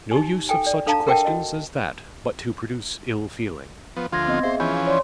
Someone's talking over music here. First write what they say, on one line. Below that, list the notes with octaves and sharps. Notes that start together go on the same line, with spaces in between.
No use of such questions as that but to produce ill feeling.
D#4 G4 G#5
A4 G5 G#5
D5
D4 A4 F5 A5 A#5
A4 A#4 E5 F#5 G5 A5
F#4 D#5
F3 B3
D2 F3 F4 C6 G#6 A#6
B3 C4 D#5
G#4 C5 E5 F5
E3 F3 C#4 G#5 B5 G6
C#5 D5 C6